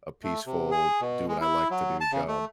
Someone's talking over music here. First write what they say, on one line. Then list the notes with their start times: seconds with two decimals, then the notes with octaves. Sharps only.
a peaceful "do what I like to do" job.
0.24 A3
0.46 C3
0.71 G#4
1.01 B2
1.28 G#3
1.41 E4
1.71 F#3
2.01 A5
2.12 C#3
2.28 A3